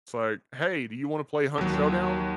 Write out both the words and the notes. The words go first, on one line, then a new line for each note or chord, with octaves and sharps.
It's like, "Hey, do you wanna play Hunt Showdown?"
D#2 F#3